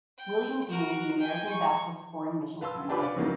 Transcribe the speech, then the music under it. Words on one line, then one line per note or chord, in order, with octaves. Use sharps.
William Dean of the American Baptist Foreign Mission Society.
G5
F#4 A#4
G5 G#5
C#6
B4 F5 A5 C6 E6
F#2 D3
D4 F4 G4 B4
B4 C#5 D5 F5
F2 G#2 C#3 E3 F#3 A#3